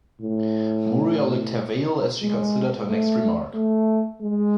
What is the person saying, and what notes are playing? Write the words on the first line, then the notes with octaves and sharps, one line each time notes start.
Muriel licked her veil as she considered her next remark.
A2
G#3
A3
A3
G#3